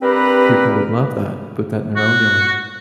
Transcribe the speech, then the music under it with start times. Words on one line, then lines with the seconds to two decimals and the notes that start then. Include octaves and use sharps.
People would love that, put that in their own yard.
0.01 G2 C4 G4 A#4 B4
1.96 F#4